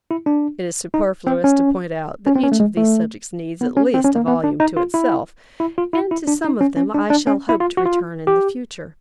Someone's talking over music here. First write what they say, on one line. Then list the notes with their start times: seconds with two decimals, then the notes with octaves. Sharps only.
It is superfluous to point out that each of these subjects needs, at least, a volume to itself: and to some of them I shall hope to return in the future.
0.11 E4
0.26 D4
0.94 D#4
1.27 C4
1.44 C#4
2.27 C#4
2.36 C4
2.43 C#4
2.52 A3
2.60 G#3
2.77 A3
3.61 B3
3.77 C#4
3.94 C4
4.04 C#4
4.15 A#3
4.28 B3
4.44 D4
4.60 D#4
4.77 F4
4.94 E4
5.60 E4
5.78 F4
5.93 E4
6.11 E4
6.28 D4
6.44 D#4
6.61 C#4
6.77 C#4
6.95 D4
7.10 D4
7.27 C#4
7.49 E4
7.60 F4
7.77 F#4
7.86 F4
8.27 G4